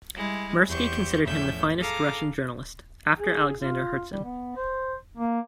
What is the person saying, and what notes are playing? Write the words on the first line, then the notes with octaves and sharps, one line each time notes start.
Mirsky considered him the finest Russian journalist, after Alexander Herzen.
G3 G#3 E4
E2 G4 C5 C#6 G6
E2 A2 F3 C#4 E5 G6
G#4 A4 F5 A#5 D6
G#4
F4
G3
B3
C5
A#3